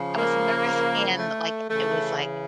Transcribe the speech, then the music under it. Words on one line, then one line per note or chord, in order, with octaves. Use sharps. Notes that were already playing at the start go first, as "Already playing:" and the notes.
I was nervous and, like, it was, like,
Already playing: C#3 F3
A#3
A3
C#3 E3 A3